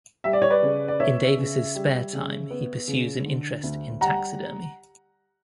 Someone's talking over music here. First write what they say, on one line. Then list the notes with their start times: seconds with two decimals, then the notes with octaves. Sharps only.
In Davis's spare time, he pursues an interest in taxidermy.
0.24 G3 E5
0.33 D5
0.42 C#5
0.50 B4 D5
0.63 C#3
0.88 D5
1.00 B3 C#5 E5
1.38 C#3
1.75 G3
2.13 C#3
2.51 B3
2.88 C#3
3.26 D3
3.63 D2
4.01 G3 F#5 A#5